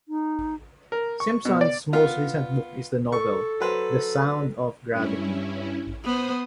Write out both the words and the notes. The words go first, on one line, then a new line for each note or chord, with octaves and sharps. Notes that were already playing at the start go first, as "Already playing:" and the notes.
Simpson's most recent book is the novel "The Sound of Gravity".
D#4
A#4
C#6
B2
D5
B3 F4
A4 C#6
F#3 B4 C5
G2 C#4 E4
B3 C5 D#6